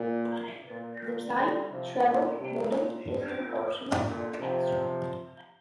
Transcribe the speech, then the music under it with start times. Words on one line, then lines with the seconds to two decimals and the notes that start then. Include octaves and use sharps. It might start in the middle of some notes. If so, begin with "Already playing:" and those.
The Psion Travel Modem is an optional extra.
Already playing: A#2
0.70 A#2
1.02 A#2 D3
1.36 D3 G3
1.70 C3 F3
2.03 A#2 D3
2.38 G2 C3
2.71 A#2
3.05 G2
3.38 A#2
4.06 A#2 D3
4.40 C3 F3